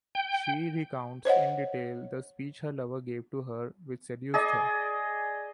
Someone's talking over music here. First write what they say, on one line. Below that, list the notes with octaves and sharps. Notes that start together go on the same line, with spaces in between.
She recounts in detail the speech her lover gave to her which seduced her.
G5
C5 C#5 D#5 F#5
G#4 D5 D#5